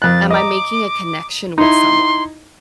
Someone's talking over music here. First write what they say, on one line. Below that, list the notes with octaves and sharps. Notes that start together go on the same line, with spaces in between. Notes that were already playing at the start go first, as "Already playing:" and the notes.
"Am I making a connection with someone?"
F2 F#6 A6
D#5 A#5 D6
D#4 E4 C6